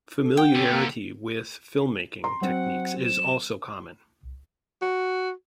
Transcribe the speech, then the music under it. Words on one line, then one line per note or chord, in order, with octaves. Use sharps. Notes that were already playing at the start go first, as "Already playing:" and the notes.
Familiarity with film-making techniques is also common.
A4
F#5 G5
D3 B3 C#4
A#3
A#5 C6
F#3 C4 F#5
E7
F#4